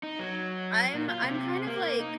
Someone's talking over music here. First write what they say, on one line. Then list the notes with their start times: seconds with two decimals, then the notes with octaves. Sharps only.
I'm I'm kind of, like,
0.03 D#4
0.19 F#3
0.94 A#2
1.08 F4
1.22 C3
1.67 A#3
2.00 D#4